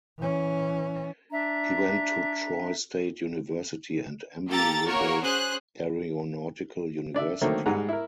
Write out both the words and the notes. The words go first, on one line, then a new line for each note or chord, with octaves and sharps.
He went to Troy State University and Embry–Riddle Aeronautical University.
E3 C#4
D4 E5 A#5
A#3 G4 A4 A#5 A6
A#3 F#4 A#4 C#5
C#4 G#4 C5 F#6
D4 D5 E5
D3 D#3 F#3 A3 A#3 C4
G#2 G3 G#3 F#5 A#5
E4 A#4